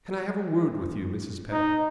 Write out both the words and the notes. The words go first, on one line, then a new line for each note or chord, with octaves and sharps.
"Can I have a word with you, Mrs. Pett?"
D#4